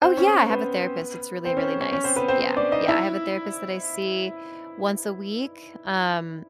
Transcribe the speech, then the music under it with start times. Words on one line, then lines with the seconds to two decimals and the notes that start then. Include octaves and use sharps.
Oh, yeah, I have a therapist, it's really, really nice. Yeah, yeah, I have a therapist that I see once a week, um,
0.02 C4 C5
0.17 C#4 C#5
0.49 B3 B4
1.45 C4 C5
1.57 C#4 C#5
1.81 C#4 C#5
1.92 C#4 C#5
2.04 C4 C5
2.16 B3 B4
2.28 C4 C5
2.40 C4 C5
2.57 D4 D5
2.72 D#4 D#5
2.88 E4 E5